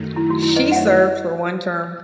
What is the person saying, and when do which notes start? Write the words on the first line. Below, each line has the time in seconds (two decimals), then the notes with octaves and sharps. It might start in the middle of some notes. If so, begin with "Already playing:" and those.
She served for one term.
Already playing: F#2 D#3 F#3 A3 D#4
0.16 E4
0.30 F#4
0.43 E4
0.56 B4 D#5
0.72 F#5
0.76 C#5 E5
0.86 B4 D#5